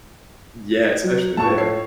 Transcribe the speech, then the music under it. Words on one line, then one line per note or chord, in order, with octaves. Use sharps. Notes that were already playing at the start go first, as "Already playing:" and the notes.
Yeah, especially there.
F#3
A2 A3 F4 A5 C#6
C#5 C7